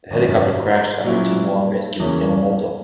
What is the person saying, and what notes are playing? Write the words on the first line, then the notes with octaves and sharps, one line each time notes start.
The helicopter crashed after Tingwall rescued Yamamoto.
G#1 F#2 D#3
A#2 F#3 C#4 E4
E2 C#3 E3 A#3 C#4